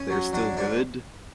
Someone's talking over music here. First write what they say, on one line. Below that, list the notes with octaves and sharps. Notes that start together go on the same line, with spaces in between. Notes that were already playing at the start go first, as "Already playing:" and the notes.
they're still good
Already playing: C#4
F#3
F#3 D4
G#2 D4